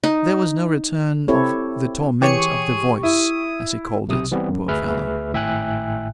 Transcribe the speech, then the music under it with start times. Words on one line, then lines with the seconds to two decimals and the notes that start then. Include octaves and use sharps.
There was no return of "the torment of the voice"--as he called it, poor fellow.
0.04 D#4
1.28 C4 E4 G4 A4 C#5
2.22 E3 G4 G#4 C#5 C#6 C#7
3.03 E4 D#6
4.08 B1 C3 D#6
4.32 E3 G3 B3 C4
4.49 F#2
4.68 D2 G#4 B4 E5 F6
5.33 G#1 A2 E5 G5 G#5 F#6